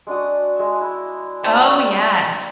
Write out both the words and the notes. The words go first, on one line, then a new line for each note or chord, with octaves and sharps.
Oh, yes.
G#3 D4 F#4 D#6
G#3 E5
E4
C4 D#4 D5 A5